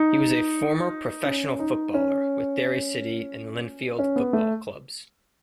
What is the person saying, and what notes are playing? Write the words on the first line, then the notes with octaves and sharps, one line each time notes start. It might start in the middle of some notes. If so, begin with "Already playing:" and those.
He was a former professional footballer with Derry City and Linfield Football Clubs.
Already playing: D#4
C#4
D#4
C#4
C#4
B3
A3